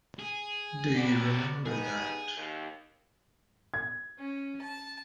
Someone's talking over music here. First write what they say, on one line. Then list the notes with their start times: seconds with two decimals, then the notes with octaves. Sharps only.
Do you remember that?
0.19 G#4
0.96 F#3 B3 F#4 G4 D5
1.65 G2 B3 D#4 G#4
2.37 D#2
3.74 G#6
4.19 C#4
4.62 A5